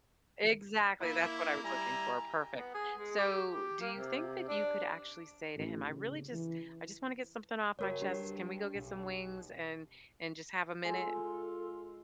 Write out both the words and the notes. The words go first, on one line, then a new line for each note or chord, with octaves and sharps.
Exactly, that's what I was looking for, perfect. So, do you think that you could actually say to him, "I really just I just wanna get something off my chest, can we go get some wings and and just have a minute?"
A#3 E4
G3 E4 G#5 A#5
B3
G#4
G#3
G4
G4
A#3
C3
D4
A1
C#3
E3
F#1 F#4 A#4 C#5
G3 D4 G4
B1
G#3 F4 A4